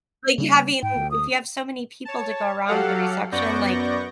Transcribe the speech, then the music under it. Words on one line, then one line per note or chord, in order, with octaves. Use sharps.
like you having if you have so many people to go around the reception, like,
C#3 G3 A#3
G#2 G5
D2
D#6
C#5 A5
F#3 G4 A4 F5 F#5
F#2 B3 D5 C#6 G6 A#6